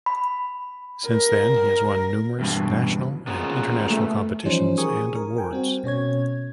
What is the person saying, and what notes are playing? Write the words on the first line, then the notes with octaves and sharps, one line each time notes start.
Since then he has won numerous national and international competitions and awards.
B5
A#4
E2 G2 B2
A#2 C#3 B3
A3
E3 F3 G3 C#4 D#4 C5
G4 G#4 A#4 G#5 C#6 D#6
A#4
A#4 G5 G#5
G3 C4 F#4
B2 C#4 C#5 G#6